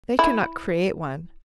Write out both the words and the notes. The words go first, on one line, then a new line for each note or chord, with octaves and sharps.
They cannot create one.
E4